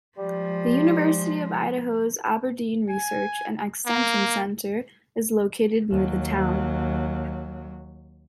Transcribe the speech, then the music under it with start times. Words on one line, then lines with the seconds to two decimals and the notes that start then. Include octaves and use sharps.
The University of Idaho's Aberdeen Research and Extension Center is located near the town.
0.18 F3 G3 G#3
2.89 G#5
3.87 A#3
5.90 D#2 F#3